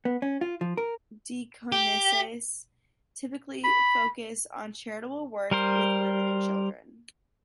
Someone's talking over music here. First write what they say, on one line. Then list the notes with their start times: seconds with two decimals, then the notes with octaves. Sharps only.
Deaconesses typically focused on charitable work with women and children.
0.05 B3
0.22 C#4
0.41 F4
0.61 F3
0.77 A#4
1.72 G4
3.64 B5
5.51 G3 A#4 C5